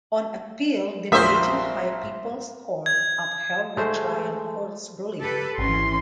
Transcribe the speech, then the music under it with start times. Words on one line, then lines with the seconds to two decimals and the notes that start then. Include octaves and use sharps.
On appeal, the Beijing High People's Court upheld the trial court's ruling.
1.12 A#1 A#3 C5 E5 D#6
2.86 G#6
3.77 G#3 A3 C5
5.19 G4 A4 B4
5.58 G#1 E3 C#4 C6